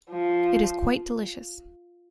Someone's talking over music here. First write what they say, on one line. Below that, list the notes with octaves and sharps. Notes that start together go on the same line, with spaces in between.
It is quite delicious!
F3